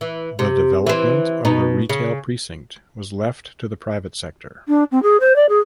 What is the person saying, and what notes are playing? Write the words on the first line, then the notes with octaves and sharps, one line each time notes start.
The development of the Retail Precinct was left to the private sector.
E3
C3
E3 C4
B2 D#4
C#3
D4
C4
G#4
C5
D5
G#4